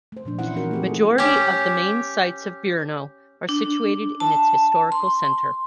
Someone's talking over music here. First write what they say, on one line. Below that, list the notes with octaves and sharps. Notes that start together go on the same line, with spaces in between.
Majority of the main sights of Brno are situated in its historical centre.
A3 C5
A#2 F3 D4
E3 A3 C#4 E4 C5 F#5
C4 D#4 E4 F#4 A#4
A3 G4 G#4
E4 F4 G4 A4
C#4 G4
D4
A5
C6